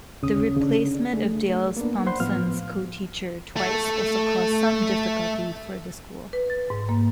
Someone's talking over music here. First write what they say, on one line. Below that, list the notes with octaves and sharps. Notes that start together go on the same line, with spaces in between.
The replacement of Dale's Thompson's co-teacher twice also caused some difficulty for the school.
D#2 C#3 C#4 D#6
C#3 D4
A3 D4 G#4
A#3 B3 D4
C5 F#5 B5 C6
A2 F3 B3 F5 F6
A3 A4
B4
A6
G#2
A#3